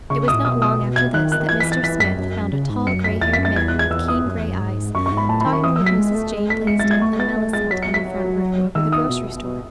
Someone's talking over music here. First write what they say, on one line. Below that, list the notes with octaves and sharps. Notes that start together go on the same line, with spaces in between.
It was not long after this that Mr. Smith found a tall, gray-haired man, with keen gray eyes, talking with Mrs. Jane Blaisdell and Mellicent in the front room over the grocery store.
C#3 C#6
D#6
A2
B2 D#6
D#6
G#6
D#3 F#6
F#6
D#3
E3 G#6
B6
A6
E3 B6
F#2 B6
F#2
C#3
G#2
F#2 C#7
B6
E2 A6
F#2 B6
A6
E2 G#6
F#6
G#6
E2 E6
D#6
F#2
E2
F#2
G#2
F#2 C#6
C#6
G#2
B5
A2 A5
B5
D#3
C#6
E3 D#6
F#3 E6
B6
G#3
A3
G#3
A3 B6
G#3 C#7
G#3 A6
G#6
A3 C#6
B3 A6
A3
G#3 A6
F#3 B6
C#7
B6
D#3 E6
D#6
B2
B2